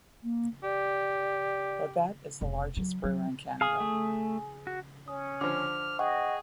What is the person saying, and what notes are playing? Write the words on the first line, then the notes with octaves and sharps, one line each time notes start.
Labatt is the largest brewer in Canada.
A#3
G4 D5
F1
F#3
F#3
G#4 F5
A3
F#4
C#4 D#6
D3 F3 D6 F6
G#4 D#5 F#5 G5 C#6